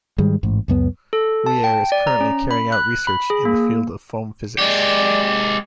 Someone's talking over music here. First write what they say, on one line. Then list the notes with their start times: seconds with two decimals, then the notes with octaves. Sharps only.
Weaire is currently carrying out research in the field of foam physics.
0.18 G#2 D#3 G3 G#3
0.43 A1 G#2
0.68 C#2 F#2 B3
1.13 A4
1.46 A5
1.64 G5
1.92 D5
2.07 A#5
2.21 C#4
2.51 B5
2.72 F#6
3.07 B5
3.30 G#4
3.45 A#3
4.58 G#3 G4 D5